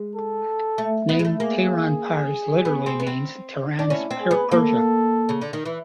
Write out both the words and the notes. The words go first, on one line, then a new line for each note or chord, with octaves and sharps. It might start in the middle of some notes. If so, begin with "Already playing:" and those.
The name Tehran Pars literally means "Tehran's Persia".
Already playing: G#3
A4
A3
B3
G#3
A3
A#3 G#4
B3
C4
B3
C4
D4
C#4 E4
C4
G#4
B3
A#3 A4
C#3
D3
D#3
E3